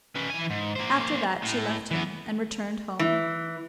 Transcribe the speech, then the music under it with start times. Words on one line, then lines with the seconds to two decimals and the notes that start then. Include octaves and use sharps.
After that she left him, and returned home.
0.15 C#4 B4
0.30 E3 G#5
0.50 G#2
0.75 A#3 C5
1.42 A2
1.91 E3 B3
2.99 E3